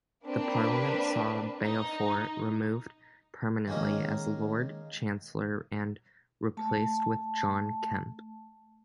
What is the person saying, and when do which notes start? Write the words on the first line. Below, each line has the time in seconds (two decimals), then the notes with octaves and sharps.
The Parliament saw Beaufort removed permanently as Lord Chancellor and replaced with John Kemp.
0.24 A#3 C4 D4 B4
1.61 D#4
3.68 D#3 G#3 A#3 C#4 A#4 D#5
6.57 A3 A5